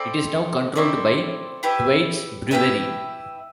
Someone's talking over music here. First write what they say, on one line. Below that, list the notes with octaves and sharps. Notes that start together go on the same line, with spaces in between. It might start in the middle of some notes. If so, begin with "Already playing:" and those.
It is now controlled by Thwaites Brewery.
Already playing: C4 E4 A4 D5
C4 E4 A4 D5
E4 G4 B4 E5
E4 G4 B4 E5